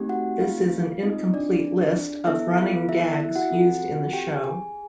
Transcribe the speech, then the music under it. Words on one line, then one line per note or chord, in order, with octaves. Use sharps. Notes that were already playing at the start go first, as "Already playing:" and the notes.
This is an incomplete list of running gags used in the show.
Already playing: A3 C4 D#4 G4
F#4 F#5
F4 F5
C4 D#4 F4 G#4 D#5
D4 D5
B3 E4 A4 E5
F4 F5
E4 E5
E4 E5
E4 E5
F#4 F#5
C4 F4 A4
G4 G5
G#4 G#5